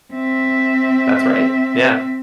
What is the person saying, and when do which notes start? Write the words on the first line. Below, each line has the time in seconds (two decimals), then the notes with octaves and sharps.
That's right. Yeah.
0.13 C4 E5